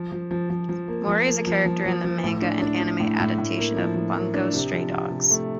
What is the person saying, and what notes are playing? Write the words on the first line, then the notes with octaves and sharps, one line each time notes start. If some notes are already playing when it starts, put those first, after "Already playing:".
Mori is a character in the manga and anime adaptation of "Bungo Stray Dogs".
Already playing: F3
F3
F3
F3
F3
A#3
F3
A#3
F3
F3
F3
F3
A2
D4
D4
D4
A2
A2
A2
A#3
F3
F3
A#3
D4
C3
F3
C3
C3
A3